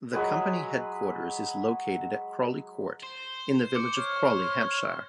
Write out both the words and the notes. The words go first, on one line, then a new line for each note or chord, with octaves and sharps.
The company headquarters is located at Crawley Court in the village of Crawley, Hampshire.
F#3 G#3 G#4 B4
C5
D6 C#7
C#5 F6